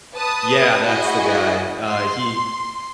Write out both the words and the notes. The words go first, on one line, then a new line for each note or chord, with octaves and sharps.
yeah, that's the guy. Uh, he
B4 A5 D#6
E4 F#4 G#4 D#5
C6